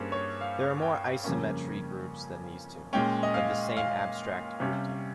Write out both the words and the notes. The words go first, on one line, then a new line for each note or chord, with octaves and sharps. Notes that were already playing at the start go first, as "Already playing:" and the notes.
There are more isometry groups than these two, of the same abstract group type.
Already playing: G2 G3 A#3 C#4 G#4 C5
C#5
F5
G5
F2 C#3 G3 A#3 C#4 G#5
A#2 G#3 C#4 G5
D#5
F5
F5
C3 G3 C#4